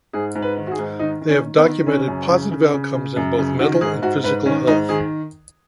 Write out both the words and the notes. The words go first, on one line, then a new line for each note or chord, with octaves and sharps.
They have documented positive outcomes in both mental and physical health.
G#2 G#4
G#2
B4
D#3
F#4
G#4
G#2
D#3 D#4
D#3
C#4
D#3
B3
D#3
C#3 C#4
F#2
C#3
C#3
C#3
C#3
F#2
C#3
D#3 F#4
G#2 G#4
G#2 F#4
G#2 B4
D#3 C#4
G#2 D#4
D#3 G#4